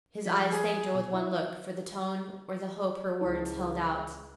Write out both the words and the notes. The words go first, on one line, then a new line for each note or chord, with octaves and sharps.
His eyes thanked her with one look for the tone or the hope her words held out.
F3 G#3 B6
G#4
B2
E4
C#2 E4